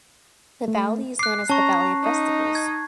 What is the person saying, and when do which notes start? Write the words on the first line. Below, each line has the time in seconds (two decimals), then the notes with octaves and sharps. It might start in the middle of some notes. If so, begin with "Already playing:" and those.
The Valley is known as "The Valley of Festivals".
0.68 A3
1.19 D6 F#6 C7
1.50 C#4 A5 A#5 C#6
2.03 D#4
2.55 G#6